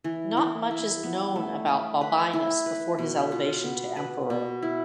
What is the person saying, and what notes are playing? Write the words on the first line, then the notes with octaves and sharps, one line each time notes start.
Not much is known about Balbinus before his elevation to emperor.
E3
E3
E4
B3
A3
A3
B4
E4
B4
B2
F4
B3
B4
B2
E4